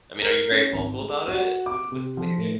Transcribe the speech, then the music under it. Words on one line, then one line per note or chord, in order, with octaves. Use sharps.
I mean, are you very vocal about it with with what you're doing?
A#4
C#4
G#1
G#3
F#4
D6
C3
F3
A2